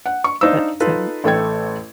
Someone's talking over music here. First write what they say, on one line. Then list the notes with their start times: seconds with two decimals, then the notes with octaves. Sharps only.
But, um
0.06 F#5
0.24 C#6
0.41 D4 D#4 C5 F5 E6
0.80 D#4 F4 A4 B4
1.24 A1 A3 A4 G5 G#6